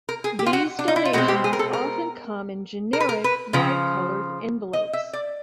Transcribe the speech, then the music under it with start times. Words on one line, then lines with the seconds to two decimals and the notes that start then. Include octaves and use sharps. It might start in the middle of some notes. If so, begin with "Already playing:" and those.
These donations often come in generic, white-colored envelopes.
0.09 A#4
0.24 G#4
0.39 G4
0.46 F4
0.53 F#4
0.79 D4
0.88 D#4
0.96 E4
1.05 F4
1.13 B2 G#3 C4 F#4
1.28 G4
1.44 G#4
1.53 A#4
1.59 A4
1.73 A#4
2.93 A#4
3.00 B4
3.09 A#4
3.24 B4
3.53 C#3 F3
4.73 D#5
4.93 E5
5.13 D5